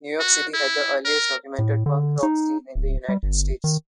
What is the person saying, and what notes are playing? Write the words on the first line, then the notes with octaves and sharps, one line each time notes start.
New York City had the earliest documented punk rock scene in the United States.
F#4
E4
A#4
A2
D3
D#4
D1
G3
G1
D#3